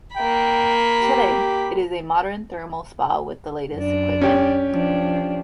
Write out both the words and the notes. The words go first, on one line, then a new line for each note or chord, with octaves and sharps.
Today, it is a modern thermal spa with the latest equipment.
A#3 G5 B5
G4
F#2 D4
C#4 G4
F3 D4